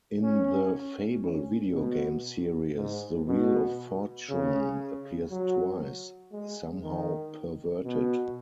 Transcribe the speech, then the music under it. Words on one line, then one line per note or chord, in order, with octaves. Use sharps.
In the "Fable" video game series, the wheel of fortune appears twice, somehow perverted.
C#4
C#4
B2
G#2
B2
C#3
F#3
G#3
D#3
B2